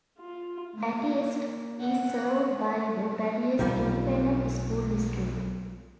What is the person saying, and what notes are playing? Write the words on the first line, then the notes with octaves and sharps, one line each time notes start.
Battiest is served by the Battiest Independent School District.
F4
A#3
F#5
B1 B2 D#3 F3 G3